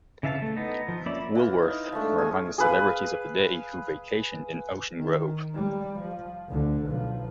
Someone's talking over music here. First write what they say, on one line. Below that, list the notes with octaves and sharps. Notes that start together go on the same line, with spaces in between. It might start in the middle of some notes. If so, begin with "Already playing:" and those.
Woolworth were among the celebrities of the day who vacationed in Ocean Grove.
C#3 E3 E5 F5 A5
A3
B3 D#4 A4
F3
A#3 C#4 D5 E5 B5
E3 F4
D#4
F3 G#3 A3 D4
F4 G#4 C#6
G#4 B4 F5
D#3
G3
F3
D2 D3
B1 F3